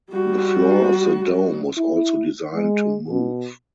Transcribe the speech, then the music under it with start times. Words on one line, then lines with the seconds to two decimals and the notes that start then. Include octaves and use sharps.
The floor of the dome was also designed to move.
0.10 G3 F#4
1.77 E4
2.54 G#3
3.08 B2